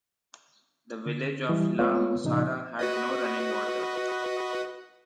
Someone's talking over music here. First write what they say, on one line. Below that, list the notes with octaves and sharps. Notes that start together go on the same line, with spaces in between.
The village of la Mussara had no running water.
D3
E3 G3
G#3 A3 B3 F4 B4 C#5
A#2 C#3 F3 D#4
F#4 B4 D#5